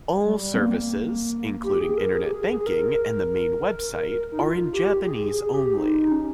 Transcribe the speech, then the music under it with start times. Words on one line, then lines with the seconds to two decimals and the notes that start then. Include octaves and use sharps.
All services, including Internet Banking and the main website are in Japanese only.
0.25 G3
0.54 C4
0.59 A#3
1.64 G4
1.80 G#4
1.98 A#4
2.15 G#4
2.23 G4
2.32 G#4
2.49 G#4
2.59 G#4
2.66 A#4
2.84 A#4
4.32 D#4
4.39 F4
4.73 G4
5.02 G4
5.09 G#4
5.32 G#4
5.45 G#4
5.54 G4
5.77 D#4
6.12 C#4